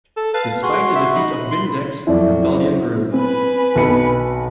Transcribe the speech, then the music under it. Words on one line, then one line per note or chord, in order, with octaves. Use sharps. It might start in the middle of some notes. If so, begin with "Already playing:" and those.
Despite the defeat of Vindex, rebellion grew.
A4
B4 F5 A5
F#4 G#4 C6
E5
D#4 B5
C6
F2 F#3 E4 D5
C5
C4 B4 G#5 B5
B1 C#7